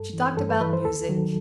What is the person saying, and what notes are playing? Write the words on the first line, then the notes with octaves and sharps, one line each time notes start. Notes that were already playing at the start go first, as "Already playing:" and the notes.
She talked about music.
Already playing: G2 A4
E3
G2 A4
B4
E3 B4
C5
D#2 A4
D#3 F#3